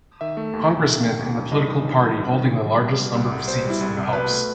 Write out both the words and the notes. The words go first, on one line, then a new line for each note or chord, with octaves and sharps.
Congressmen in the political party holding the largest number of seats in the House.
D#3 E5
A3
D#2
D#2
D#3
A3
D#2
D#2
G2 D#5
D#3
A1
G3
G2
D#3
A1
G3
B2
G3
C2
C2
B2 C5
G3
E4
C2
C2
B2 B4
A3